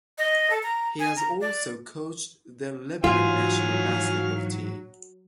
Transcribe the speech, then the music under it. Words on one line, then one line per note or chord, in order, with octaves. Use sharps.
He has also coached the Lebanon national basketball team.
D#5
A4
A#5
G#5
A#5
D5
G#2 E3 F#3 F4 F5 G#5